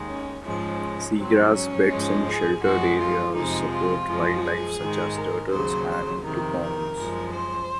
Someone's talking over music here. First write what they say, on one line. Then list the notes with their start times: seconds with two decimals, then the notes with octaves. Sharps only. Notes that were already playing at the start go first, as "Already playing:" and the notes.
Seagrass beds in sheltered areas support wildlife such as turtles and dugongs.
Already playing: D#2 D#3 G#3
0.08 C#4
0.44 G#2 F3 G#3 C#4
1.16 G#2 F#3 C4
1.52 C#4
1.88 G#2 F3 G#3
2.25 G#4
2.61 F#2 F3 G#3 F#4
2.98 F4
3.33 F2 C3 F3 G#3 D#4
3.70 F4
4.06 F#2 F3 G#3
4.42 G#4
4.78 G#2 D#3 G#3
5.15 A#4
5.51 D#2 C#3 F#3 C5
5.88 C5
6.23 F2 C3 D#3 A#4
6.60 A#4
6.96 F#2 F3 G#3
7.32 C5